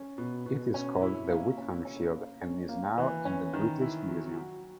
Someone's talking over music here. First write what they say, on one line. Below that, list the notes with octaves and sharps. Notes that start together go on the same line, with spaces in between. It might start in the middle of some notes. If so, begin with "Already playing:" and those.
It is called the Witham Shield and is now in the British Museum.
Already playing: C#4
B2
B2
C#4
E4
A#3
C#4
C#4
A#3
C#4
A#3
E3
C#4
D#3
E4
F#3
F#4